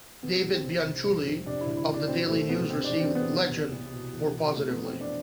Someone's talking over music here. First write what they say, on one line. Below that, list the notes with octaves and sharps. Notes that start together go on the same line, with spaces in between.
David Bianculli of the Daily News received "Legend" more positively.
C3 B3
C2
C4
C2
C3
F2
F2
C3 D4
E4
D2
E4
D2 D4
B2 C4
C2 A3
B2 B3
C3 C4
E2 D4
C4
E2
B3
C3
C2
C2
B2
E2
B2
E3 A3
F2 B3
C4
E3
D4